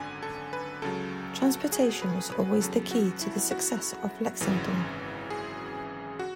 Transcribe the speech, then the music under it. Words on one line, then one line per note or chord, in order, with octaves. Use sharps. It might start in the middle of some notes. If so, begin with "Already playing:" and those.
Transportation was always the key to the success of Lexington.
Already playing: G#1 F#2 D3 G#5
A4
B4
C#2 C#3 F#3 A4
F#4
G#4
B4
B4
E2 C#3 F#3 A4
F#4
E4
F#4
G#1 F#2 C#3 E3
G#4
F#4